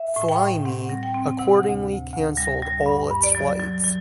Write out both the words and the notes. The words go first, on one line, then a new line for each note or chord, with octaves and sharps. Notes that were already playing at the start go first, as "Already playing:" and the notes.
FlyMe accordingly cancelled all its flights.
Already playing: E5
A2
G5
A2
C4 F#5
G3
G5
C4
C3 F#5
D2
D2
D2
G3
G3
G2
G2
D5
F#3
F#3
F#3